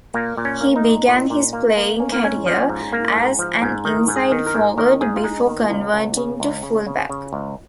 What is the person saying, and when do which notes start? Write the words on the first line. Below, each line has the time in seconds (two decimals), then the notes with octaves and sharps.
He began his playing career as an inside forward before converting to full back.
0.14 A#2 A#3
0.37 A#2
0.45 C#4
0.61 A#3
0.76 D#4
0.84 A#2
1.07 A#2
1.30 A#2
1.53 A#3
1.77 A#3
1.99 A#3 C#4
2.12 A#3
2.23 G#2 C#4
2.46 F3
2.69 G#2
2.93 A#3
3.16 G#2
3.39 F3
3.62 G#2
3.85 D#3 D#4
4.08 G#2
4.16 G#4
4.32 D#3
4.47 A#4
4.55 G#2
4.78 D#3 A#4
5.01 G#2 G#4
5.16 F4
5.24 G#3 D#4
5.47 D#3
5.70 C#2
5.94 C#2
6.17 C#3
6.40 C#2
6.63 C#3
6.87 C#3
7.09 C#3
7.33 C#2